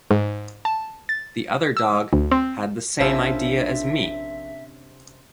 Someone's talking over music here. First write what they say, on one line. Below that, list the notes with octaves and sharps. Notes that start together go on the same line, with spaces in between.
The other dog had the same idea as me!
G#2
A5
A6
E6
D2
C4
A#1 C3 F3 C#4 D4 E4 E5